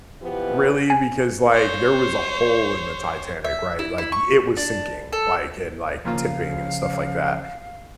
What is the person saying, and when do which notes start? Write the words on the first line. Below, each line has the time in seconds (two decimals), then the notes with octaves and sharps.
really, because, like, there was a hole in the Titanic, right? Like, it was sinking, like, and, like, tipping and stuff like that.
0.21 B2 E3 F3 B3 G4
0.90 G#5
1.52 C5 C#5
3.45 E5
3.79 E4
3.98 E4
4.12 C#6
4.57 D4
5.13 A4
6.05 A#2 C#3 F3 A#3 F4 F5